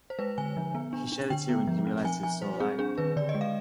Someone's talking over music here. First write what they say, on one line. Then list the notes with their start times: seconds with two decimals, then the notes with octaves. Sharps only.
He shed a tear when he realized he was still alive.
0.10 C5
0.19 G#3 B4
0.38 D3 G#5
0.57 F3
0.75 B3
0.93 D4
1.12 D4
1.30 D3 G5
1.49 B3
1.67 F3
1.87 C4
2.04 F3 G#5
2.23 F3 G#5
2.42 G3 C5
2.60 C4 G#4
2.79 D4 G#4
2.98 D#3 B4
3.16 D3 D5
3.29 D#5
3.35 G#3
3.41 F5